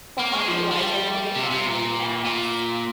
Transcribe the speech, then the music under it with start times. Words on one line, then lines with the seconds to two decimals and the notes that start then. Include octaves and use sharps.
But hobby-wise, I know they have, like, apps
0.19 A#3
0.33 G#3
0.48 F3
0.71 F3
0.78 G3
1.36 C3
1.51 C3
1.66 A#2
2.25 A#2